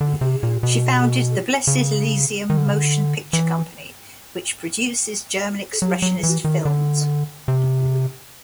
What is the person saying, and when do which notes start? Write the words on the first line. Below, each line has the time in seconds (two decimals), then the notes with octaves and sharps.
She founded the Blessed Elysium Motion Picture Company, which produces German Expressionist films.
0.01 D3
0.21 C3
0.43 A#2
0.63 B2
1.67 C#3
2.50 D#3
2.57 D3
2.66 C#3
2.73 D3
3.33 E3
5.82 F#3
6.02 F#3
6.23 E3
6.44 D#3
6.65 D3
7.48 C3